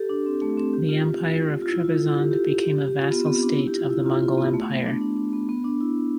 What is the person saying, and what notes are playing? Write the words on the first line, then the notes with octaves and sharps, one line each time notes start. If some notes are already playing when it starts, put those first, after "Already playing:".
The Empire of Trebizond became a vassal state of the Mongol empire.
Already playing: G4 A4
D4
C4
A3
C4
G4
F4
F4
E4
F4
A4
G4
G4
G4
G4
G4
F4
B3
C4
B3
D4
E4
G4
F4
E4
F4
E4
B3
A3
B3
D4
D4
D4
B3
B3
D4
E4